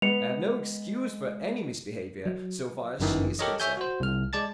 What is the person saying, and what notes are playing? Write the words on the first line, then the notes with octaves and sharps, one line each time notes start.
I have no excuse for any misbehaviour--so far as she is concerned.
G#3 B3 C#7 F7
F#3
G1 F#2 D#3 E3
G4 A4 A#4 C#5 D#5
C#5 E5 G#5 G6
F#4 C5
C2 F6
G#3 D5 A5 A6